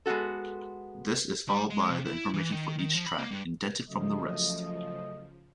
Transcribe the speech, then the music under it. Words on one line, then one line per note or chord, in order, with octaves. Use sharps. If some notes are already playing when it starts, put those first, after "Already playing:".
This is followed by the information for each track, indented from the rest.
G#3 B3 F4 F#4 A4
G3
G#3
C3
E4
E3
D#3
D#3
F3
B5
A#3
G2
C#3 F3 F#3 A3 D#5